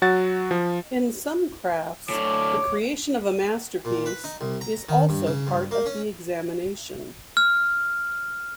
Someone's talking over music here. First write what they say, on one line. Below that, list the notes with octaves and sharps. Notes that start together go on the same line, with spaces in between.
In some crafts, the creation of a masterpiece is also part of the examination.
F#3 F#4 F#5 A6
F3
A2 D3 C#5 D6
A#2
B4
D#4
C2
A#5
D#3
G2
C#3
G2
A#3
C#4
F6